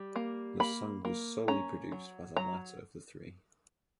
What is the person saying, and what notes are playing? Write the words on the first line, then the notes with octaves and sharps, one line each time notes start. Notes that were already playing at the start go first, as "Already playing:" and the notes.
The song was solely produced by the latter of the three.
Already playing: G3
A#3
A#3 B5
A#3
C#4 A#5
F#3
F#3 A#5